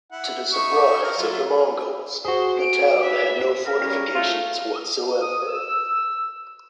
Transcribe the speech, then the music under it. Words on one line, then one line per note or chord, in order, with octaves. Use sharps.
To the surprise of the Mongols, the town had no fortifications whatsoever.
E4 F#5
D#4 E5 C#6
A#4
F#3 E4 F4
F#4 G#4 C5 C6
D7
B4 E5
A#4
G3 C#4
A3 F4
D#6
E6